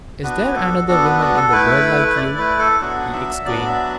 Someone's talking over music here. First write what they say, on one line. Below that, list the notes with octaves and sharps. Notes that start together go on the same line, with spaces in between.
"Is there another woman in the world like you!" he exclaimed.
B3 D4 F#4 B4
A4
B3 D4 F#4 A4
B4
F#4
A4
A3 E4 B4
A3 E4 D5
B4
A4
F#3 B3 D4 F#4 F#5
E5
F#3 B3 D4 F#4 D5
E5